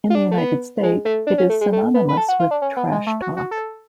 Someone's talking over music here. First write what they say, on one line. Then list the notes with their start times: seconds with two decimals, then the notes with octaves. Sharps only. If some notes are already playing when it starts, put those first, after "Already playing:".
In the United States, it is synonymous with "trash talk".
0.10 F4
0.15 D4
0.31 A3
0.38 B3
0.83 G#3
1.05 A3
1.27 D4
1.38 C#4
1.49 A3
1.61 G#3
1.73 A3
1.94 B3
2.09 B4
2.17 A4
2.28 F#4
2.40 F4
2.51 D4
2.62 C#4
2.77 B3
2.91 G#3
3.07 A3
3.22 F#4
3.37 F#4
3.51 A4